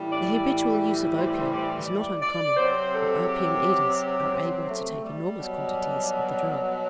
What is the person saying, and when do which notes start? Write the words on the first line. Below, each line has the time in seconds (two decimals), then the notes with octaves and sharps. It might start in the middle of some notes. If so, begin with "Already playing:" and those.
The habitual use of opium is not uncommon, and opium-eaters are able to take enormous quantities of the drug.
Already playing: A2 E3 G3
0.09 D5
1.15 C5
1.24 D5
1.33 C5
1.50 D5
1.85 D5
2.21 D5
2.56 C3 F#3 C5
2.91 A4
3.27 G4
3.97 G4
4.32 C4
4.67 A3
5.03 G3
5.38 B2 F#3